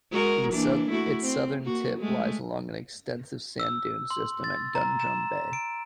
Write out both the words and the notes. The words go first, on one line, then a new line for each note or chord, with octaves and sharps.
Its southern tip lies along an extensive sand dune system at Dundrum Bay.
G#3 F#4 A#4
E3 A#3 D4
A3 E4 F#4
C4
A#3 F#4
G#3 A3
E6
C6
A6
A#5
E7
D7